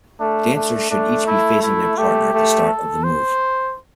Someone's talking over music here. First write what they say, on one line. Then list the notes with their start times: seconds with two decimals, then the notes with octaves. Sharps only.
Dancers should each be facing their partner at the start of the move.
0.20 A3 D4
0.55 A3 D4
0.90 A3 D4
1.27 E4
1.62 E4
1.97 A3 G4
2.33 A3
2.68 A4
3.04 C5